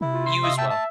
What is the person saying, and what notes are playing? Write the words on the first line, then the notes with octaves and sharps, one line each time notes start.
You as well.
C3 E4
F4
C6
F4 D#5 E5
E5 G5 A5 E6
A5